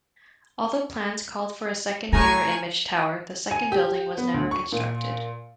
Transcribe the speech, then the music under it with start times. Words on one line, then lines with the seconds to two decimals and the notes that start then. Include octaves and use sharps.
Although plans called for a second mirror-image tower, the second building was never constructed.
2.13 A2 A3 G#5 A#5 C#6
3.51 G#5
3.72 G4
4.17 B3
4.34 D2
4.51 C#6
4.72 A#2